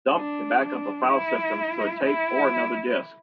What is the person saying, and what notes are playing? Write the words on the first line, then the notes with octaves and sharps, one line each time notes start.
Dump can back up a file system to a tape or another disk.
D4
D4
E4
E4